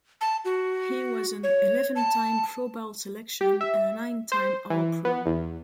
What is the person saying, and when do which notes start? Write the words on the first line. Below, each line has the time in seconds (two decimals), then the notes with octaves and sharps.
He was an eleven-time Pro Bowl selection and a nine-time All-Pro.
0.21 A5
0.45 F#4
1.43 C#5
1.96 A5
3.41 G4
3.61 E5
4.32 C5
4.70 E3
5.05 B3
5.26 E2